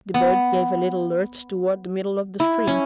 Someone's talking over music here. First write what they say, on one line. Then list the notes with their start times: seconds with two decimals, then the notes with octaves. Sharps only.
The boat gave a little lurch toward the middle of the stream.
0.14 B3
2.40 E4
2.67 C#4